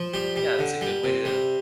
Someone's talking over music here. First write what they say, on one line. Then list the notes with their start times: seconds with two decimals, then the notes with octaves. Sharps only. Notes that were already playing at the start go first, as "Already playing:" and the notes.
yeah, that's a good way to
Already playing: F3
0.14 G3 G4
0.36 G3
0.59 D3
0.81 G3
1.04 C3
1.25 G3